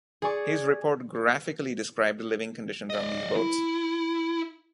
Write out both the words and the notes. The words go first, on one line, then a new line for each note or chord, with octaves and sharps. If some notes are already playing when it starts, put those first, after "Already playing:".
His report graphically described living conditions on these boats.
G#4 D5 C#6 D6
D5 D#5
E4